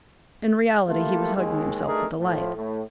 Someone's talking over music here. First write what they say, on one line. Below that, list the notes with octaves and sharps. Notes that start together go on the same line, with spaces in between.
In reality he was hugging himself with delight.
A3 A#3 E4 F4 G4 A4
D#2 G#3
G2 A3 D4 D#4 G#4 A#4
A2 F3
A2